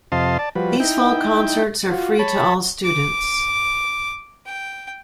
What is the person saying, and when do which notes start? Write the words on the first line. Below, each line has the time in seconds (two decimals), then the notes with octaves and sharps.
These fall concerts are free to all students.
0.12 F2 C3 D#5 F5 A5 C6
0.39 D5 A5
0.55 F3 G3 F#4 B4
0.80 D#4 E4 G5
1.91 F4 F#4
2.19 C#5 A5 B5
2.84 D6
4.46 G5